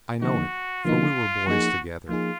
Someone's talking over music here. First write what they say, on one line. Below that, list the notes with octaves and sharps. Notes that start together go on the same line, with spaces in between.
I know it, for we were boys together.
D3 F3 A#3 D#4 F#4
D3 F3 A#3 D#4 F4
F3 A#3 D#4 F#4 G#4
F3 A#3 D#4 F4 G#4